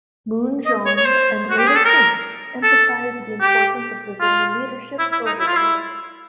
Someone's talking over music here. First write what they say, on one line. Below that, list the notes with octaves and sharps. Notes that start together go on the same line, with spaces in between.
Munjong, and later Kings, emphasized the importance of civilian leadership over the military.
D#5
C#5
C#5
C5
F#4
G4
G#4
A4
A#4
A4
G4
F4
E4
E4
D#4
E4
F4
E4